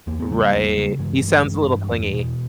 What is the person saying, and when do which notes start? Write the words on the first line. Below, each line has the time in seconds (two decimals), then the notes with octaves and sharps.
Right. He sounds a little clingy.
0.07 E2 A#3
0.20 B3
0.31 C#3 G3 A#3
0.53 E2
0.76 C#3
0.99 G2 E3 G#3
1.22 G2
1.45 G2
1.68 G2
1.91 E2
2.13 B2